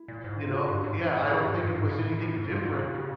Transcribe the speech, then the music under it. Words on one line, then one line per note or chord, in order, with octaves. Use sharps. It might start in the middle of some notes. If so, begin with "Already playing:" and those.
you know? Yeah, I don't think it was anything different.
Already playing: E4
A#2
G#2
F4
F#4
G4
G2
G#2
A2
G#4
A#2 G4
G#2 F4
G2 F4
G#2
A2 E4
F4
A2
G#2
G2 F4
G#2 F#4
A#2 G4
C#3 F#4